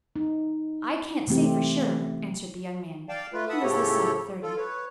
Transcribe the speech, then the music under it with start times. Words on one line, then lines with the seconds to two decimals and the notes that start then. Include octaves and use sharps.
"I can't say for sure," answered the young man--he was this side of thirty.
0.16 D#4
1.27 C3 E3 A3 C4 G4
3.09 D5 F5 G5 A5
3.33 A3 F4 B4
3.49 E5 F#5 A5 B5 D#6
3.63 A2 C#3 F3 G4 A4 C#5
4.43 F4 A4
4.57 B4 C#5